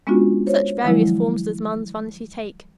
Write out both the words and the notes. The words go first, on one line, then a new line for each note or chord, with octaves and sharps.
Such various forms does man's vanity take!
G#3 B3 C#4 D4 F4 F#4
C5 C#5
D#3 F3 F#3 G#3 E4